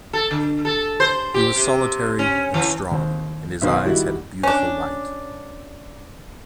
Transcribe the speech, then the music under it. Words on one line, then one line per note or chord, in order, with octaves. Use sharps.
He was solitary and strong, and his eyes had a beautiful light.
A4
D3
A4
C5
G4
C3
C#4
E3
D#2 C4 C5
B1 D#3 B4 C5 F5
D#3 G3 D#4 E4 F#4 G4
C#4 D4